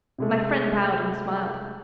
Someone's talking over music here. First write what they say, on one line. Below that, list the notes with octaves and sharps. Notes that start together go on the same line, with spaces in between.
My friend bowed and smiled.
C3 G#3 A3